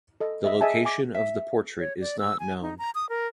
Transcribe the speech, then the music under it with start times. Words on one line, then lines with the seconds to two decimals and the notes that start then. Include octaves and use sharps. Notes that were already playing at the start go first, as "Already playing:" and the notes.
The location of the portrait is not known.
0.21 A4 D#5
0.44 D#5 E5
0.61 G#4 D#5 E5 G#5 A5
0.85 G#5 D6
1.15 E5
1.79 C#5
2.01 D5
2.19 E6
2.40 G#5
2.62 D#4
2.78 A#5
2.95 D#6
3.09 A#4